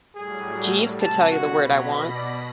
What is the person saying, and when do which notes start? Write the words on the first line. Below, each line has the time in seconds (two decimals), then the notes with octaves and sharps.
Jeeves could tell you the word I want.
0.16 A2 F#3 G3 G#4
1.01 C3 A5 G#6
1.32 B2 F#4 B5 A#6
1.71 F#3
2.16 D5